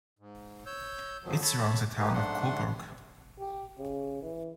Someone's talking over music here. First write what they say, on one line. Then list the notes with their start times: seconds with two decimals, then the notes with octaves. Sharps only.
It surrounds the Town of Cobourg.
0.19 G#2
0.66 C#5 E6 G6
1.23 F2 G#2 D#3 F3 F#3
1.42 A4 C#5 A5 B5
1.98 A3 A#3 D#4 G4 B4
2.13 G#2 A3 D4 F#5 C6
3.39 G4
3.79 C#3
4.22 E3